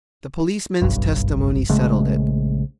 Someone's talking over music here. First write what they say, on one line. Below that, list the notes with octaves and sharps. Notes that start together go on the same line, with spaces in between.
The policeman's testimony settled it.
F#1 B1 G2
A#1 C#3 G#3 A3